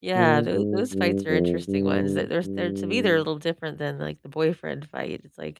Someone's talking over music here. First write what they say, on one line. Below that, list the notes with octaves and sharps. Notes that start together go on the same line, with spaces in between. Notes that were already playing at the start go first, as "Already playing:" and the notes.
Yeah, tho those fights are interesting ones, th there's, they're to me, they're a little different than, like, the boyfriend fight, it's like
A#2
G#2
G2
F2
G2
G2